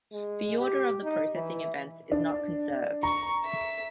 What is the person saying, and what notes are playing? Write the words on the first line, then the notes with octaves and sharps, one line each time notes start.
The order of the processing events is not conserved.
G#3
G4
D#4
E3
D4
A#5 C#6
E5 B6